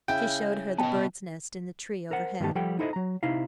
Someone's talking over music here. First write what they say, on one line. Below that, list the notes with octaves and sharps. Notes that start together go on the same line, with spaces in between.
She showed her the bird's nest in the tree overhead.
C#3 E4 G5
B3 D#5 G5 A5
A#4 C5 F#5
G2 D#3 A3 B3 G4 A5
F3 G3 A4 F#5 G5
D#4 E4 A4 C5 D5 D#5
F#3 A#5
C3 D#4 E4 F5